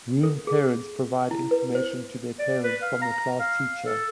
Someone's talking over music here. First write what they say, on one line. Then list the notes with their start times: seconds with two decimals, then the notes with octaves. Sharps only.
Room Parents provide information to the parents from the class teacher.
0.23 A4
0.47 G#4
1.31 E4
1.51 B4
1.75 C5
2.39 D5
2.63 B4
2.82 F5
3.02 A#5
3.39 F5
3.85 A4